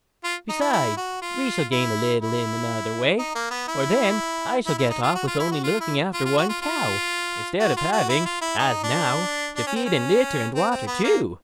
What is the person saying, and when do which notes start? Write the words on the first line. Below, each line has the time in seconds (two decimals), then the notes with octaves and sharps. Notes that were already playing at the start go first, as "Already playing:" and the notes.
Besides, we shall gain a little in another way, for then I shall get off with only looking after one cow, instead of having, as now, to feed and litter and water two.'
0.24 F4
0.50 D#4
0.61 E4
0.73 E4
0.97 F#4
1.22 F4
1.71 E4
2.21 E4
3.19 D#4
3.35 A#3
3.51 B3
3.68 E4
4.67 E4
4.78 E4
4.90 D#4
5.03 F4
5.15 F#4
5.27 F4
5.40 E4
5.52 F#4
5.64 F4
5.80 E4
6.14 F4
6.25 F4
6.38 F#4
6.49 F4
6.62 F4
7.60 F#4
7.77 F4
7.93 F#4
8.09 E4
8.26 F4
8.42 E4
8.59 D#4
8.84 D4
9.56 D4
9.67 C#4
9.76 C4
9.85 C#4
10.55 C4
10.71 C4
10.87 B3
11.04 A#3